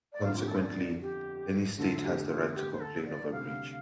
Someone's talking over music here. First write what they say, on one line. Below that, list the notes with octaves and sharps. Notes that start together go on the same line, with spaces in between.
Consequently, any state has the right to complain of a breach.
D5
G1 F2 D3 F5
F4
G4
A4
C5
D5
G4
D2 D3 A3 A4
G4
F4
G4
C5
A4
D5
D2 C3 G3 F5